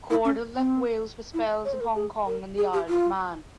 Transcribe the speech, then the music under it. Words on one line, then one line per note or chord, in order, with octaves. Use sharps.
Cordell left Wales for spells in Hong Kong and the Isle of Man.
E4
C#4
C4
E4
C#5
C5
A#4
G#4
A#4
G#4
G4
F4